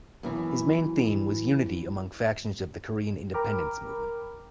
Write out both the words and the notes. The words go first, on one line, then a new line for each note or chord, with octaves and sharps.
His main theme was unity among factions of the Korean independence movement.
F#2 B2 E3
A#4 G5 A#5 B5 D6 F6